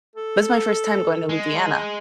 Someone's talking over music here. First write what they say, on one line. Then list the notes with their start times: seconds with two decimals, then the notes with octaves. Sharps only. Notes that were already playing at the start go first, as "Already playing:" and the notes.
That's my first time going to Louisiana.
0.16 A4
1.29 G#3